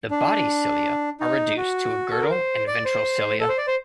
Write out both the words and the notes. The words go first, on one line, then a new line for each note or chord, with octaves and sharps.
The body cilia are reduced to a girdle and ventral cilia.
D4
D#4
F#4
A4
A#4
C5
D5
C5
A4
C5
D5
C5